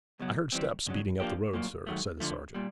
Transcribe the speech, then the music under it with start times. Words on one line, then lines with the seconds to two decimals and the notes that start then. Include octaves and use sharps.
'I heard steps beating up the road, sir,' said the sergeant.
0.19 C#2 B2 F#3
0.52 E3 G3 C4
0.86 D2 C#3 F#3
1.20 F3 A#3 D4 G4
1.53 C2 A#2 F#3 A#3
1.87 G#2 D#3 F#3 A3
2.20 D3 F3 A3
2.54 A#2 G3